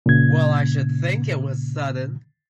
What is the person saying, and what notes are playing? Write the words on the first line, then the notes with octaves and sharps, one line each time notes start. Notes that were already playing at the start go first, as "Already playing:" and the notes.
Well I should think it was sudden!
A#2 C#3 G#6